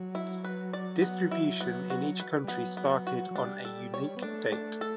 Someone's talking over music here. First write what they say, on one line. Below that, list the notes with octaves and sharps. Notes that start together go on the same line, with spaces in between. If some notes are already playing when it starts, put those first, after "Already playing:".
Distribution in each country started on a unique date.
Already playing: F#3
E4
B4
D5
B3
E4
B3
F#4
B4
G3
F#3 B3
B3
F#4
F#3
G3 D4
A4
C#5
B3
A3 D4
D4
A4